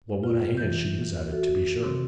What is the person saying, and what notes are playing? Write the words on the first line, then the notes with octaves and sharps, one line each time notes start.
Well, what a hand she is at it, to be sure!'
F2 F4
E3 G6
F#4 A4 E5
C3 D#3 C4